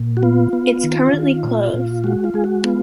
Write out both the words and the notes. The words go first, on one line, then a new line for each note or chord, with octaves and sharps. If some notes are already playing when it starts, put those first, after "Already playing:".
It’s currently closed.
Already playing: A#2
F#4
B3 F4
B3
D#3
D#3
A#2
A#2
G#3 F#4
F4
G#3 G#4
F#4
B3 F4